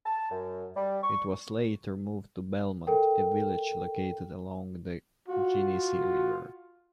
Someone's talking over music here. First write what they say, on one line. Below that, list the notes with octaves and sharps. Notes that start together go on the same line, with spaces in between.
It was later moved to Belmont, a village located along the Genesee River.
A5
F#2
G3
C#6
A4 A#4 G5
F4 F#4